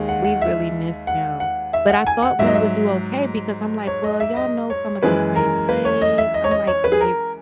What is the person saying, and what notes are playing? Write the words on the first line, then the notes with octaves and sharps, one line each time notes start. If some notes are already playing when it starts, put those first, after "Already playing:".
we really missed him. But I thought we would do okay because I’m like, well, y’all know some of those same plays. I’m like, can they
Already playing: D#2 D#3 G#3
F#5
F#5
E5
F#5
F#5
E5
F#5
G#5
F#5
G#2 F#3 E5
D#5
E5
C#5
D#5
E5
D#5
C#5
F#2 E3 G#3 B4
A#4
B4
C#5
D#5
E5
D#5
C#5
D#5
C#5
B4
G#4
A#4